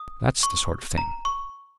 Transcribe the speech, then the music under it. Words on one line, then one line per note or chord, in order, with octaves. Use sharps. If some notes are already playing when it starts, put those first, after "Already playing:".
That's the sort of thing!'
Already playing: D#6
C#6
A#5
C#6